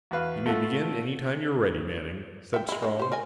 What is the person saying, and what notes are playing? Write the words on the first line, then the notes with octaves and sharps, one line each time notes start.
"You may begin any time you are ready, Manning," said Strong.
E2 F#4 B4 F5
A3 F4 F#4 A4
E5 G5
G#3 E4
D3 G#3
G4 C5
A#4 D#5 G#5